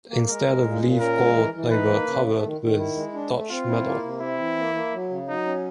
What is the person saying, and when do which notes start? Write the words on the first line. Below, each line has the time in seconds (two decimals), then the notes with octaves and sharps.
Instead of leaf gold they were covered with Dutch metal.
0.10 A#3
0.28 G#3 A#4
0.46 G#3
0.64 A#2
0.82 A#2
0.99 C#4 A#4
1.17 G#3
1.35 E3
1.54 E3
1.71 D#4 B4
1.89 A#3
2.06 C#3
2.24 A3
2.43 D#3
2.61 D#3
2.78 E4
2.95 G#3
3.14 D4
3.32 A3
3.50 C4 F4
3.68 E4
3.85 A#3
4.03 C3
4.20 C4 E4
4.39 E3
4.57 A#3
4.75 A#3
4.93 F#3
5.10 C#3
5.28 F#3 D#4
5.46 C#4